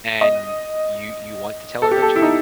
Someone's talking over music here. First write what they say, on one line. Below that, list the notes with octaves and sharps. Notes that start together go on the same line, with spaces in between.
And you you want to tell her eventually?
D#5
A4
G4
A4
E4
D#4